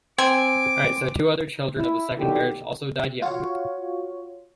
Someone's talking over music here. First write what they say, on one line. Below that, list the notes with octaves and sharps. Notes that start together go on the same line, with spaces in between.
Two other children of the second marriage also died young.
C4 G#5 D6
E4
B1 B2 D3 D#3 G4
F4 F#4 C#5